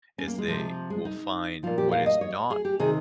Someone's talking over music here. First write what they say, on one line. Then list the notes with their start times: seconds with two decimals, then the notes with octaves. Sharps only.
is they will find what is not
0.18 C#4
0.28 A#3
0.38 G#3
0.48 C3 F3
0.90 G#3
1.05 D#4
1.63 A#2 F3 F4
1.78 G4
1.92 F5
2.06 D#5
2.21 C#5
2.50 G#4
2.65 G4
2.80 C3 D#3 G#4